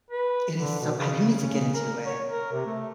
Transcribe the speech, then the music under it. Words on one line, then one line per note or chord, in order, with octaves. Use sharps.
It is, so you need to get into it.
B4
D3
B2
C#3
C#4
C#3
A#4
C#5
A#4
C3
A3